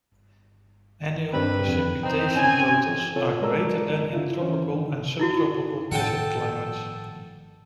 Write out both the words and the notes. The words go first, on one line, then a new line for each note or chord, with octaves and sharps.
Annual precipitation totals are greater than in tropical and subtropical desert climates.
G2 G3 C4 B4
F2
C4 D#4 G5
C#4 G#5
C#3 C4 F4 A4 C#5
G#3 A#4 D5 A5 A#5 E6
D3 E4 F4
E3 C#4 C5
D3 D#3
D#4 E4 F#4
A2 D#3 F3 A4 F#5 G5 A5